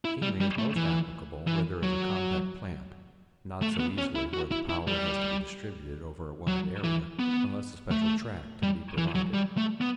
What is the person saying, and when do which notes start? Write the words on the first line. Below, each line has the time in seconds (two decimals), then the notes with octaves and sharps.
Machinery is most applicable where there is a compact plant; not so easily where the power has to be distributed over a wide area, unless a special track can be provided.
0.05 E4
0.22 G3
0.41 G3
0.58 A3
0.76 E3
1.47 E3
1.83 F#3
3.62 A3
3.80 B3
3.98 C#4
4.15 E4
4.34 F#4
4.51 E4
4.69 E4
4.87 G3
6.48 F#3
6.84 E3
7.19 B3
7.91 A3
8.63 G3
8.98 E3
9.15 F#3
9.34 G3
9.58 A3
9.81 B3